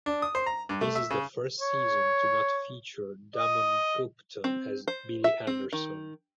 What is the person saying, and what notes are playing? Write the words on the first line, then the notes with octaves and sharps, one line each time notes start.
This is the first season to not feature Damon Gupton as Billy Henderson.
D4
D#6
C5
A#5
G2
A3
E5
C#3
C#5
D#5
C4
C5
E5
C4
D#3